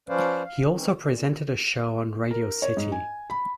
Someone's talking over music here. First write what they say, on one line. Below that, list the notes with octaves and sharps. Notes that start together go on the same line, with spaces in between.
He also presented a show on Radio City.
F3 C#4 B4 C5 D5 F5
F5
E3 G#3 C4 C#4 D#4
A#2
A#4
C#5
G#2
G#5
B5